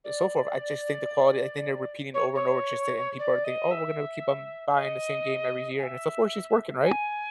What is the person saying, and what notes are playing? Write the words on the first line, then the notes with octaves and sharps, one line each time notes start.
and so forth. I just think the quality I think they're repeating over and over just to and people are thinking, "Oh, we're gonna keep 'em buying the same game every year," and so far, she's working, right?
D5
C#5
C#5
D5
D#5
E5
D#5
G#5
E5
G#5